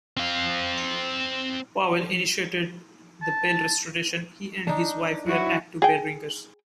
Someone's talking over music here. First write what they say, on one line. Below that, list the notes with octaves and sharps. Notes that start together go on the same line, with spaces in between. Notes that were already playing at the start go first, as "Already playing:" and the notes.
Powell, initiated the bell restoration; he and his wife were active bellringers.
C4 F5
A5
D4 D#4
F#3 E4 F#4
G#4 G5